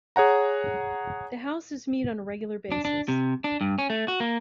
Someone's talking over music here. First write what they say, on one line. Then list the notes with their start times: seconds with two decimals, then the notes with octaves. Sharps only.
The houses meet on a regular basis.
0.16 G#4 C#5 F#5 A#5
2.72 D4
2.85 D4
3.08 C3
3.44 D4
3.61 G2
3.79 C#4
3.90 A3
4.08 F#4
4.20 A#3